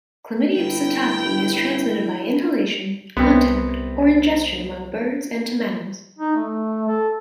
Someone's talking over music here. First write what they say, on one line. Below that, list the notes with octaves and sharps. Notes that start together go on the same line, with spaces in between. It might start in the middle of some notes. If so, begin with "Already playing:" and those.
"Chlamydia psittaci" is transmitted by inhalation, contact or ingestion among birds and to mammals.
G1 E4 G5
C2 B3 C4
D#4
A3
A4